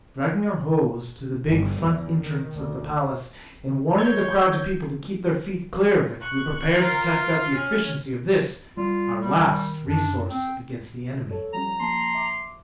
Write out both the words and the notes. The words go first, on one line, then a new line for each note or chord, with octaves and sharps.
Dragging our hose to the big front entrance of the palace, and warning the crowded people to keep their feet clear of it, we prepared to test out the efficiency of this, our last resource against the enemy.
G1
E2
D#3
D2
C#5 G6
C#6 F#6
F4 A#4
C#4 F6
G3 F4
G3
D#3
F#2 D4
C4
A4 C#5
F3 G3 C#4 A#5
F3 A#3 A5 C6
E5 D6